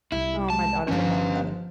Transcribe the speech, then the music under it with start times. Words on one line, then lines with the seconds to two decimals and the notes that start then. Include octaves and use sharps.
Oh, my daughter would love that.
0.12 C2 E4
0.50 G#3 A5
0.88 G1 F3 C#4 D4 B4